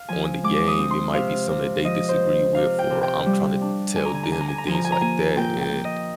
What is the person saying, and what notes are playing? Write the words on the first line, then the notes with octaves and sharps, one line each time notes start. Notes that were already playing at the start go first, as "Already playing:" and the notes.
on the game, it might be something that they disagree with or I'm trying to tell them and things like that, and,
Already playing: F5
F3 G#5
G#3 D6
D#6
C4
C6
C3 F5
C3
F3 D#5
C5
C4
C3 F5
G5
C3
G5
G3
D4
D3 G#5
A#5
G#5
A#5
D4 G#5
A#5
G#5
A#5
F3 G#5
A#5
G#5
A#5
A#3 G#5
A#2 G5
G5
A#2
D#5